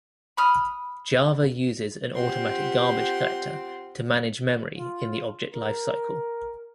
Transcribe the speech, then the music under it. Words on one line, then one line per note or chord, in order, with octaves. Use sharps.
Java uses an automatic garbage collector to manage memory in the object lifecycle.
B5 D#6 F6
C4 F4 G4 F#5 C6
F4
A#4